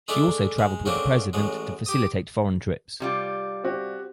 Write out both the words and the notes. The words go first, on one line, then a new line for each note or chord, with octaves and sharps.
She also traveled with the president to facilitate foreign trips.
G#3 A3 D4 E4 A4
G#3
C#3 F#3 A3 A#3 C4 D4
A1 F#3 G#3
G4 D#6
C3 G3 F4
C4 F#4 G4